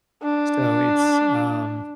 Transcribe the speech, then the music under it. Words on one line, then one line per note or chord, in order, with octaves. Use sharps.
So it's, um
D4